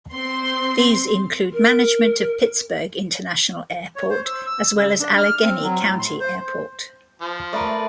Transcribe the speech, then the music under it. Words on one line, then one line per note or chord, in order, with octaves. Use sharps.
These include management of Pittsburgh International Airport as well as Allegheny County Airport.
C4 C6
A#4
C#5
C5
E6
E6
C#3
D4
F6
C4
F#3
A2
C6
C5
F3
A3 A#4 B4 D5